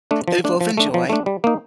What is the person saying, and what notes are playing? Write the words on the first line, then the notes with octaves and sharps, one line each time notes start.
that we both enjoy.
A3 D4
F3
A3 D4
F3
A3 D4
F3
A3 D4
G3
A#3 D#4